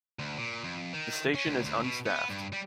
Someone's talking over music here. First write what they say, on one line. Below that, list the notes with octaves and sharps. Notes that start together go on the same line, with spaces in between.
The station is unstaffed.
D2
A#2
F2
D#3
C#4
C#2
D2
B2
B3
G2
G3